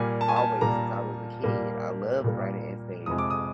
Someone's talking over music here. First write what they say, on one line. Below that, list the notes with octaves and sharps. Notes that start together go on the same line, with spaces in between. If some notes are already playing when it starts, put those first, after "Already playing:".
Always, since I was a kid. I loved writing essays.
Already playing: A#2 G3 A#3 G#5
A5
G#5
A5
A#2 G3 A#3 A#5
A#2 G3 A#3
A#2 G3 A#3
F2 C3 F3 G#3 D#6
D6
D#6